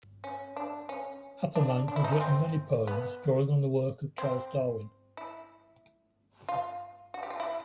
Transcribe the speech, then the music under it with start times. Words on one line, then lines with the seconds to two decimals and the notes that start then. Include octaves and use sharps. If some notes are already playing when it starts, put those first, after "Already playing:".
Appleman has written many poems drawing on the work of Charles Darwin.
0.24 C#4
0.57 D4
0.89 C#4
1.56 D4
1.88 D4
1.96 E4
2.04 D#4
2.12 C#4
2.21 C4
2.87 B3
4.18 C4
5.17 E4
6.49 F4
7.14 F#4
7.23 G4
7.30 F4
7.40 E4